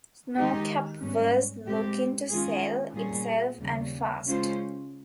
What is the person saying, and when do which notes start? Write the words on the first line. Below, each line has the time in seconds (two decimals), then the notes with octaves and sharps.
Snocap was looking to sell itself and fast.
0.37 D#3 G#3 D#4 G4
1.01 G#2 G3 C#4
1.67 A#2 G#3 C4 G4
2.31 D#3 G#3 C#4 F4 G#4
2.95 A#2 G3 C#4 G#4
3.61 D#2 C#3 G3
4.25 C#3 G#3 C#4 F4 C5